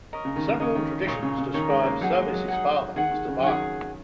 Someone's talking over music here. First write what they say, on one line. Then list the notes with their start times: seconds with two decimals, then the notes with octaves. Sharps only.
Several traditions describe Servius' father as divine.
0.13 C#4 A#4 D#5
0.25 C#3
0.36 D#3
0.48 C#3
0.60 C#3 C#4 A#4 D#5
0.75 D#3
1.07 A#2 D#4 A#4 C#5
1.23 C#3
1.38 C#3
1.54 D#3 D#4 A#4 C#5
1.70 G#3
1.81 C#4
1.86 A#3
2.01 F#3 D#4 G#4 F#5
2.10 A#3
2.17 G#3
2.33 F#3
2.48 D#4 G#4 F#5
2.96 D#3 G#4 F#5
3.11 D#3
3.28 C#3
3.39 F#3
3.43 D#3 G#4 F#5